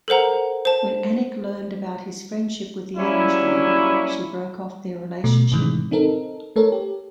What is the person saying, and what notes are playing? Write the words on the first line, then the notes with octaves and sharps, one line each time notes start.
When Annick learned about his friendship with the Englishwoman, she broke off their relationship.
A4 A#4 C5 F#5 A#5
C5 A5
F#3 G3 A#3 C#4 E4
B2 A3
A2 C3 D#3 E3 G#3
C4 D#4 A4 A#4
A3 A4 A#4 C#5
G4